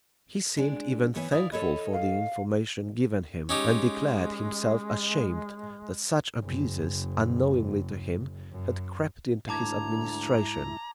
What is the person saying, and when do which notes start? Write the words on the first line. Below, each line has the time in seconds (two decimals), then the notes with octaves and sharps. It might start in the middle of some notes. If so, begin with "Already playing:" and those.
He seemed even thankful for the information given him; and declared himself ashamed that such abuses, unknowingly to him, had crept into his administration.
0.57 G#3 D4
1.15 E3 B3 C#5
1.32 E4 D5 F5 D#6
1.52 A4 C#5 D#5 B5
1.93 F5
3.49 G#3 C#4 D#4 G4
6.43 F#1
8.52 F#2
9.49 D2 G#2 E4 A5 A#5 D6 G#6